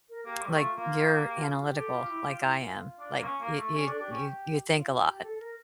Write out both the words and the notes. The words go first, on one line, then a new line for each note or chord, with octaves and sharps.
like, you're analytical like I am. Like y you you you think a lot.
A#4
A#3 G4
G3 G4
A3
F4
A#3 F4
G4
F4
F4
G4
G4 A4
F4
E4
F4
E4
F4
D4
A#3
C#4
A#3
A3
C#4 G4
D4 A4
D4 G4
C#4 G4
F4
F4
G4
A4
A#4